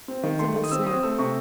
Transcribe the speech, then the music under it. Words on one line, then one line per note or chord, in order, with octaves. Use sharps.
Something snapped.
C4
D#3
A3 C6
D#3
D#6
C4 E6
C4 D#6
A3 E6
C3 C#6